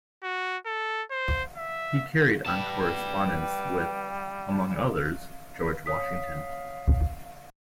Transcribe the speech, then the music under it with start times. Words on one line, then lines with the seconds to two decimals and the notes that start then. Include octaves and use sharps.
He carried on correspondence with, among others, George Washington.
0.23 F#4
0.66 A4
1.11 C5
1.57 E5
2.46 G3 B4 G5 A5
5.86 C#5 F5 D#6 B6